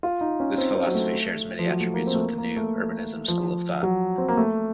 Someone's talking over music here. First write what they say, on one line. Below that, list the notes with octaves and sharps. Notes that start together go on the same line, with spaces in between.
This philosophy shares many attributes with the new urbanism school of thought.
F4
D#4
C#4
C4
C4
F#3
A3
F3
F#3
A3
A#3
C4
A3
A#3
A#3
A3
F3
F#3
C4
A#3
A3